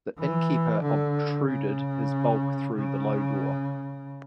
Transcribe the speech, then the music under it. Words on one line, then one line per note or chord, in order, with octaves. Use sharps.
The innkeeper obtruded his bulk through the low door.
E3
D3
C#3
C#3